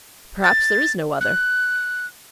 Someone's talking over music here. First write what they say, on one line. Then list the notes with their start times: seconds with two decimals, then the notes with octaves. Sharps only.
Perhaps there is no other.
0.44 A6
1.21 F#6